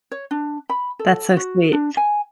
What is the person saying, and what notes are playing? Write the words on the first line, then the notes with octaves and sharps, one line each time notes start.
That's so sweet.
C#5
D4
B5
A4
F#4
D4
G#5